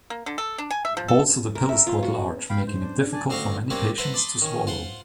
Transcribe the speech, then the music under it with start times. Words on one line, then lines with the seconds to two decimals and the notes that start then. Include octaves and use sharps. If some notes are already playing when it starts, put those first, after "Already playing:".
Also, the pill is quite large, making it difficult for many patients to swallow.
0.10 A#3
0.26 D3
0.38 A4
0.58 D4
0.71 G#5
0.85 E5
0.97 F3
1.08 A4
1.55 A#4
1.69 E5
1.87 F4
2.03 F#4
2.50 F5 G5 B5
2.67 G#2 C5
2.81 D4
3.13 D5 G#5 A5
3.30 D2 C4 C5 F5 A#5 C#6
3.70 G3 A#3 C4 D4 C#5 D5
3.98 B4 C5 E5 F#5 A5 A#5
4.14 D5 A5 B5 C6 D#6
4.42 D#3 C#4
4.67 F4 C5 F#5 C6